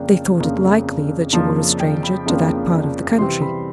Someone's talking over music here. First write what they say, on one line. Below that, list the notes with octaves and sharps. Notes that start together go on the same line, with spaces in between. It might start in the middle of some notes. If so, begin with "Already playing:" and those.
They thought it likely that you were a stranger to that part of the country.
Already playing: F2 C#3 F3 A#3 D4 G5
F2 C#3 F3 A#3 D4
F2 C#3 F3 A#3 D4 A5
G5
B5
F2 C#3 F3 A#3 D4
C3 E3 G3 C4 C6
B5